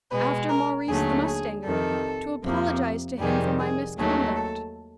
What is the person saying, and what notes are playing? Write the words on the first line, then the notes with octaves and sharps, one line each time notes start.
"After Maurice the mustanger--to apologise to him for my misconduct."
B2 G#3 B4
A#4
D#2 D3 F#3 A3 G#4
G#4
F2 C3 D#3 A4
F2 C3 F3 A#3
F2 C3 D#3 G3 G#4
G#4
D#2 D#3 F#3 A3 G#4
A4